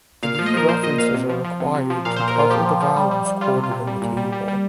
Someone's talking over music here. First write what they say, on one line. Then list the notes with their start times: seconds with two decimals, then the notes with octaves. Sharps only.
Three references are required to cover the values quoted in the table.
0.23 A#2 F5
0.34 F3 F5
0.46 D#5
0.54 F3 A#4
0.68 A#2 C5
0.83 A#2 D#5
0.98 A#2 F5
1.14 C3
1.29 F3
1.45 F3
1.60 C3
1.74 C3
1.90 F3
2.05 A#2 F5
2.16 A#2 C5
2.28 A#4
2.35 A#2 F4
2.50 F3 G4
2.66 F3
2.80 F3
2.96 G3
3.11 G3
3.26 G3
3.41 G3 F4
3.56 C3
3.63 F4
3.71 C3
3.87 G3
4.02 A#2
4.17 G3
4.32 G3
4.48 G3